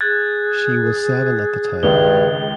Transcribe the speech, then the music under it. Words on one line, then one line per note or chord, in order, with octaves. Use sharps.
She was seven at the time.
G#4 F#6 G#6 A6
C#2 G2 D#3 G7